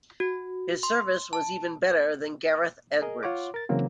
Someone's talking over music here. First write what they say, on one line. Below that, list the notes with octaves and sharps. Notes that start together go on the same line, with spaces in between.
His service was even better than Gareth Edwards.
F#4
C6
A5
G#4 A#4 D#5
F4 C#5 F#5 C6 D6
A#4 A6
C#3 E3 F#3 A#3 C4